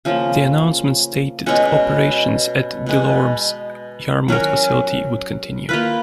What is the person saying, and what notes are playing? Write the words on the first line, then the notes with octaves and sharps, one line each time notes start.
The announcement stated operations at DeLorme's Yarmouth facility would continue.
C#3 F3 A#3
B2 G#3 C#4 F#4
B2 G#3 B3
F#3 C#4 F#4 A#4
A#3 F4 B4